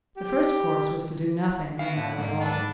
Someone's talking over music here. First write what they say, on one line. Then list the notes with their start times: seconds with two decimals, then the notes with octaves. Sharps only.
The first course was to do nothing in the matter at all.
0.17 G4
1.79 B3 E4 F#4 F5
1.96 A2
2.18 G#2 A3 A#3
2.40 D4 A4 B4